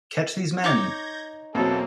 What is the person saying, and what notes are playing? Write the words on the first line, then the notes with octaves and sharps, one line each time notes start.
Catch these men!
D#4 C#5 D6 G6 G#6 A#6
E2 B2 F#3 A#3 C4 A4